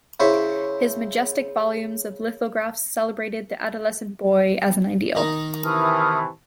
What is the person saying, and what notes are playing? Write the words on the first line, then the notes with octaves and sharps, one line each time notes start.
His majestic volumes of lithographs celebrated the adolescent boy as an Ideal.
C#3 E4 C5 C#5 B5 C#6
D#3 D#4
C3 E3 E4 A5 C#6 D#6 F6